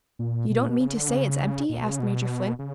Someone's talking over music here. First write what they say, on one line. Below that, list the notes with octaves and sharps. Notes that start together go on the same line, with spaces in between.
"You don't mean to say it's empty?" asked Major Flint.
A#2
B2
A#2
B2
C#3
D3
C#3
A#2
B2
C#3
B2
C#3